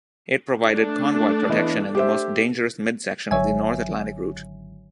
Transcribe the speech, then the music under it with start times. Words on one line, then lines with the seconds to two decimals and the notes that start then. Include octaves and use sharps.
It provided convoy protection in the most dangerous midsection of the North Atlantic route.
0.58 A3 D4
1.49 E3 B3 D#5
1.95 G4 C5 E5
3.31 G#1 D3 F#3 C#5 E5 G#5